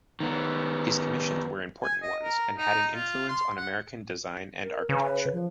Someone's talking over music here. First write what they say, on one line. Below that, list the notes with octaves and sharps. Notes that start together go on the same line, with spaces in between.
His commissions were important ones and had an influence on American design and architecture.
D#3 B3
G#5
D#5
A#4
D#4
F4
C6
F#5
A#4
C#3 B4
F3